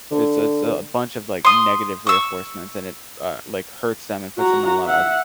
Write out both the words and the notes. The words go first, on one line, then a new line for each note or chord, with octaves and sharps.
It's it's a bunch of, like, negative reinforcements and it, uh, like, hurts them and puts them in a lot of
D3
C6 D#6
C#6 E6
F#4 A#5
E5 F#5